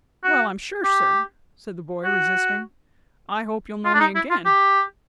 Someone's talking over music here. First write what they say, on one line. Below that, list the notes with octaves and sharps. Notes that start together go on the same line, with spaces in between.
'Well, I'm sure, sir!' said the boy, resisting; 'I hope you'll know me again.'
F#4
G4
F#4
F4
D4
D#4
E4
F4
G4